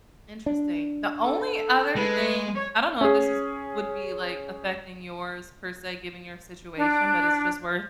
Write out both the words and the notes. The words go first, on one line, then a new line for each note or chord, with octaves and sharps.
Interesting. The only other thing I don't know if this is would be, like, affecting yours, per se, given your situation, but it's just worth
D4
A4
G#3 B4
C#5
C#4 G#4
D4